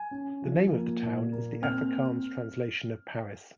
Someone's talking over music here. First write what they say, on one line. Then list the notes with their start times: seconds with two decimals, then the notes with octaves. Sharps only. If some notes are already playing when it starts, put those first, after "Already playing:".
The name of the town is the Afrikaans translation of Paris.
Already playing: G#5
0.11 C#4
0.42 F3
0.73 A#3
1.02 A#2
1.32 A#3
1.62 C4 F6